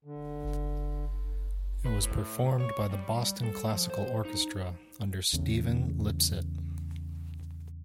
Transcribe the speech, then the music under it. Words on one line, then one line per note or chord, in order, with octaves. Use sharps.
It was performed by the Boston Classical Orchestra, under Steven Lipsitt.
D3
B4
A2
C#5
G3
A4
F3
C5
D#4
E2 C#3 A3